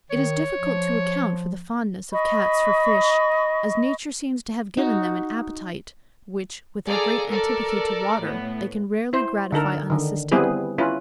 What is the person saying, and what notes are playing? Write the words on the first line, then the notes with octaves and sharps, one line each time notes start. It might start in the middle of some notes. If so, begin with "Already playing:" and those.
It is difficult to account for the fondness of Cats for fish, as nature seems to have given them an appetite, which, with their great antipathy to water, they can rarely gratify unassisted.
D#3 C#5
F3
D#5 B5 C#6
D#4 F#4
G#4 A4 D5 F5 G#5 A#5
A4 A#4 D5
A2 B3
E4 C5
D3 D#4 A4 A#4
D3 D#3
G3 B3 C4 E4 G#4 B4
C#4 E4 F4 B4